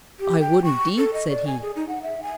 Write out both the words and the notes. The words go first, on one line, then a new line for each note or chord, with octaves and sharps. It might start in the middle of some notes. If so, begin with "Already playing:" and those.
"I would, indeed!" said he.
G4
G5
C#6
A4
D#5
D5
G#5
G#4
D#4
F#5
E5
G#5